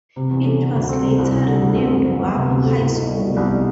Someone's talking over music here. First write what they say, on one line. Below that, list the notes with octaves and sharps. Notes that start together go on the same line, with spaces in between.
It was later renamed Waco High School.
C3
E2
A3
D3
D2
C4
C3
C2
C2
D3
D2
C4
F#2
G1
B3
C3
D2
A3
A2
B1
G3
B2
C2